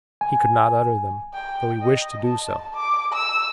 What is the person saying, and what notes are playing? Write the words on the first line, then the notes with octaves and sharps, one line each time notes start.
He could not utter them, though he wished to do so.
G#5
G5
D#5
A5
D6
E6